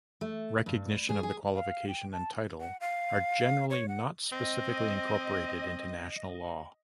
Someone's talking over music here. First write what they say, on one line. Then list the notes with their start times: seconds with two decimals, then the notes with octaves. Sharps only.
Recognition of the qualification and title are generally not specifically incorporated into national law.
0.21 A3
0.66 G2
1.09 G#4
1.23 G#4
1.55 F5
1.88 G5
2.12 A5
2.61 F#5
2.80 F5
3.70 C#5
3.88 F#5
4.32 C4 D#5